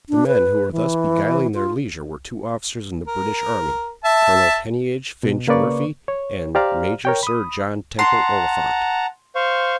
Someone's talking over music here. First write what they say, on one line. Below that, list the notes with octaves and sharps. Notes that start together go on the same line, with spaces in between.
The men who were thus beguiling their leisure were two officers in the British army--Colonel Heneage Finch Murphy and Major Sir John Temple Oliphant.
D4
B4
E3
F4
A#4
E5 A5
B2
C#3 A#3 B4 D5 C#6
C#5
G4 C5 D5 F5 A#5 F6
A#4 C#5 G5
B5 D#6
F#5 A5 A#5 C6
C5 F5 C#6